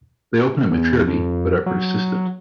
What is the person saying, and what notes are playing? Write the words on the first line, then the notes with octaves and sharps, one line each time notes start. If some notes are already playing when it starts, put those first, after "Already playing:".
They open at maturity but are persistent.
E2
F2
F#3